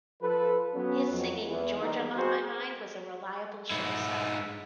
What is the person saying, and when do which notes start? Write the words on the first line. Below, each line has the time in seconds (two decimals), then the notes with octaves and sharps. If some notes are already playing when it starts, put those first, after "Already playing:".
His singing "Georgia on My Mind" was a reliable show stopper.
0.22 F3 A4 B4
0.74 F#3 B3 C#4
1.10 F2 F#3
1.48 E2
1.80 D#3 G3 A#3 B3 D#4 A#4
2.16 C4 F#4 G#4 C5
3.71 G#2 E4